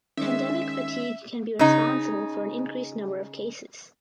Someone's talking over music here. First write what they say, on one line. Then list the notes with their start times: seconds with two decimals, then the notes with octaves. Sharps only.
Pandemic fatigue can be responsible for an increased number of cases.
0.17 D#3 G#3 C#4 E5
1.59 C#3 D#4